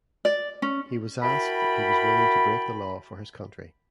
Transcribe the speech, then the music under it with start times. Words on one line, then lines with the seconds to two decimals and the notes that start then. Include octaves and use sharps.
He was asked if he was willing to break the law for his country.
0.25 D5
0.62 C#4
1.22 E4 F#4 A#4 G5 A5 B5